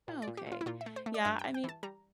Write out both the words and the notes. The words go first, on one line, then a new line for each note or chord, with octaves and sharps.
Oh, okay, yeah, I mean
A#2
D5
A#2
G4
A#2
F4
E4
A#2 F4
E5
A3
C5
A3
D5
G2 E5
G5
G3
G5
E3 A5
G3 A#5